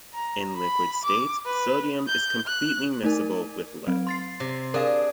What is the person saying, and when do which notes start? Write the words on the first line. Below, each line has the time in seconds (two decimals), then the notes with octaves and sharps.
In liquid state, sodium is completely miscible with lead.
0.14 A#5
0.56 B5
1.04 D6
1.46 B4
2.08 G6
2.47 F#6
3.03 A3 D#4 A#4
3.87 F#3 C4
4.07 C6 A6 C7
4.40 C3
4.74 D4 G#4 A#4 F5